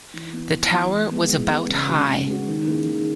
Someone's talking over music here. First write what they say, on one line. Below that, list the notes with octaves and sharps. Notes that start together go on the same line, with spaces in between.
The tower was about high.
E3
B3 E4
E3
B3 E4
E3
G#3 B3
E3
G#3 B3
C#3
G#3 C#4 F#4
C#3
G#3 C#4 F#4
D#3
A#3 C#4 E4 G#4
D#3